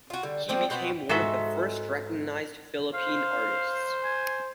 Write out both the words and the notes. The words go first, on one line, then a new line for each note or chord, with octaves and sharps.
He became one of the first recognized Philippine artists.
F4 F#4
D3 G3
F3 C4 D4 F4
B2 C4 B4 F#5
G#2 G#3 F#4 A4 E5
C5 F5
G#5